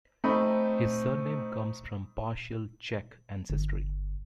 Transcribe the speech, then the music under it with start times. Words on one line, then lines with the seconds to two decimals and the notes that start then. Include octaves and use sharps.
His surname comes from partial Czech ancestry.
0.24 A3 C4 D#4 B5
3.50 G1